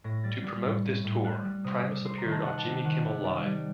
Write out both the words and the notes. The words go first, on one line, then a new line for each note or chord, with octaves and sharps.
To promote this tour, Primus appeared on Jimmy Kimmel Live!
A2 A#6
G3 A6
G3
A2
A2
A2
G3 F#6
G3
C3 D#6
C3
C3 C6
A#5
D#3
A5
C3 F#5
A5
C3
G5
D#3 F#5
C3
G3 G5
G3